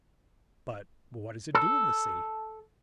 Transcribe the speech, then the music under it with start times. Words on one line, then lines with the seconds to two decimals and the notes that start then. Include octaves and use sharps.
But what does it do in the sea?
1.55 A4